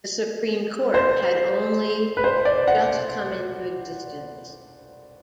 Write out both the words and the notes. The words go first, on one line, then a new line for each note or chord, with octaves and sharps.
The Supreme Court had only just come into existence.
C5
B4
C5
D5
F#5